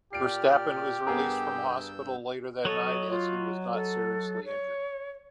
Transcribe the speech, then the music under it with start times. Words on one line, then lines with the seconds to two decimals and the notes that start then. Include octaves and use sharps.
Verstappen was released from hospital later that night as he was not seriously injured.
0.13 A#2 G4 D5 F6 C7 D7
1.07 G2 B3 G#4 A#4 E6 G6
2.65 F#3 A4 C#5 D#5
3.09 F4
3.73 A4
4.45 C#5